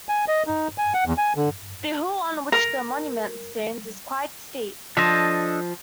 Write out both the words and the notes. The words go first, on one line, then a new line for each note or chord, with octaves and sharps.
The hill on which the monument stands is quite steep.
G#5
D#5
D#4
G#5
F#5
E2
G#5
D3
A#4
F3 D4 A4 D#5